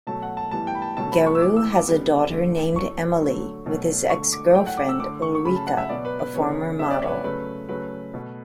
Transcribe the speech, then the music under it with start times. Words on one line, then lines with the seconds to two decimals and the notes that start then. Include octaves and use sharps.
Garou has a daughter named Emelie, with his ex-girlfriend, Ulrika, a former model.
0.07 B2 F#3 A3 A5
0.22 F#5
0.37 A5
0.51 A2 E3 G3 B3 A5
0.67 G5
0.75 B5
0.82 A5
0.97 B2 F#3 A3 A5
1.12 B5
1.26 C#6
1.35 E6
1.42 A2 E3 B3 D6
1.56 E6
1.72 D6
1.86 C#3 G3 B3
2.31 D3 A3
2.76 A2 F#3 A3 C#6
3.21 D3 F#3 A3
3.66 B2 F#3 A3
4.10 D3 A3 C#6
4.33 D6
4.55 A2 F#3 A3 G5
4.67 F#5
4.77 D6
4.89 E6
5.00 D3 A3 D6
5.22 C#6
5.35 C#6
5.45 C#3 F#3 A3 B5
5.56 A5
5.67 F#5
5.78 E5
5.89 B2 F#3 B3 D5
6.05 B4
6.19 B4
6.34 C#3 E3 B3 C#5
6.79 C#3 F#3 B3 E5
6.90 D5
7.02 C#5
7.08 B4
7.13 C#5
7.24 C#3 F#3 A3 B4
7.69 C#3 F#3 A3 B4
8.14 B2 A3